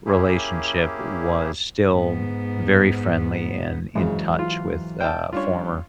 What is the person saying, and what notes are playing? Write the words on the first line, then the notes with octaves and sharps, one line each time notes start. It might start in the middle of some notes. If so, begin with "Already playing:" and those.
relationship was still very friendly and in touch with a former
A#3 C#4 E4 G4 G#4
G#2 B3
G#2 C#3 E3 F#3 G#3
F4
G5 A5
G3 C#4 D4 F4 C#5